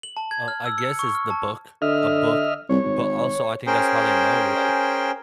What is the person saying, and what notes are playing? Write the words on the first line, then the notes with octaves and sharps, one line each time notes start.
Uh, I guess it's the book a book, but also I think that's how they know, like
F#7
A5
G#6
F6
E6
C#7
C#6
F6
A5
D3 D#5 E5 F6
C2 C#5
G#1
C#4 G#4 A#4 C5 G5